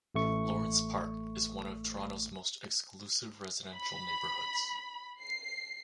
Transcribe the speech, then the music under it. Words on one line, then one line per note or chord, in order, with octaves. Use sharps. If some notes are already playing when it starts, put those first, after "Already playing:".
Lawrence Park is one of Toronto's most exclusive residential neighborhoods.
A1 A3 C#6
B5
C7